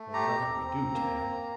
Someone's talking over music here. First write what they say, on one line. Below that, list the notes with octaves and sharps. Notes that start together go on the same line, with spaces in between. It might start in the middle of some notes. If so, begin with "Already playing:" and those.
"But, what else can we do, Tad?"
Already playing: A3
G4 A#5
C4
C4
A#3
A#3